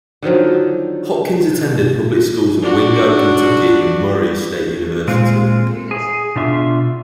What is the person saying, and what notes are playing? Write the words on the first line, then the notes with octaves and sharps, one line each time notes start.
Hopkins attended public schools in Wingo, Kentucky and Murray State University.
D3 D#3 F3 F#3
D4 F#4
A#2 G#3 C4 F4
G#4
B2 D4 F4 E5